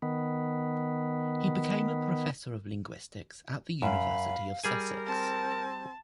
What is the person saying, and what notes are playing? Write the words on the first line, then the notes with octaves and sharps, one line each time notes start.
He became a professor of linguistics at the University of Sussex.
D#3 B3
F#2 F5 B5
G3 G#4 A#4 G#5
C4 A5